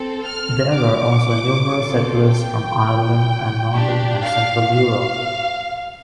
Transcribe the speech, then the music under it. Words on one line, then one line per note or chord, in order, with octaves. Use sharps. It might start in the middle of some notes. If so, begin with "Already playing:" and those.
There were also numerous settlers from Ireland and Northern and Central Europe.
Already playing: C4 A4
F6
D6
C4 F4 A4
G5
D4 G4
F5
F5